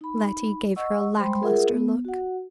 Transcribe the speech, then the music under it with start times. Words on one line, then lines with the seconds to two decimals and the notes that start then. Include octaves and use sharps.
Letty gave her a lack-luster look.
0.01 D#4 B5
0.76 D#5 F#5 C#6 E6
1.17 G3 G#3 C5 G5 B5 C6
1.43 F4 G#4 A#4 E5 F#5
1.68 B3
2.05 F#4 F#5